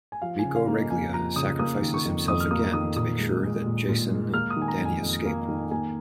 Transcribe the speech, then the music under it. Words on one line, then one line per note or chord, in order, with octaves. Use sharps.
Miko Reglia sacrifices himself again to make sure that Jacen and Danni escape.
G#5
F3 F5
G#5
C#3
G#5
F5
A#3
D#5
F2 G#5
F3 A#5
C#3 D#6
A#3 D#6
D#3
C#6
F2
F2 D#6
F6
A#3 D#6
D#3 D#6
A#2 D#6
G#3
G#3
A#2
A#2
G#3
A#3 F6
D#6
D#3
G#5
A#5
F2
G#5
F2
A#3
D#3
A#3 G#5